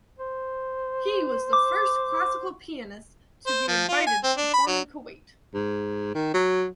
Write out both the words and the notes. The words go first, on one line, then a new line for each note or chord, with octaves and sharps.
He was the first classical pianist to be invited to perform in Kuwait.
C5
D6
C5
F3
F4
G#5
C4
D4
B5
F#3
G#2
D#3
F#3